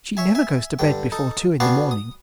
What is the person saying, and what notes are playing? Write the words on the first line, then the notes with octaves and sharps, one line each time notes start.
She never goes to bed before two in the morning.
C#5 E5 G#5
E5 G#5
G2 D3 G5
D#4 A4
B3 D4 F#4 F5 G5 G#5
D#6